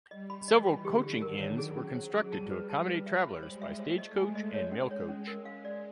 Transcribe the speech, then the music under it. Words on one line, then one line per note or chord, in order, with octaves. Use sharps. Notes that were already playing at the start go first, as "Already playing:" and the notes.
Several coaching inns were constructed to accommodate travellers by stagecoach and mail coach.
G3 D#5
B5
E3 D#5
B5
D3 G4
G4
D#3 A#4
C#5
F#3 G#4
C#4
C5
G#4
G3 A5
B4
G3 A5
B4
E5
B5
G#3 C5
E5
A3 C5
D#5
G#3 G#5
D#5
C#5
C#4
G#3 C#5
C#4
G#3 A#4
F5
D5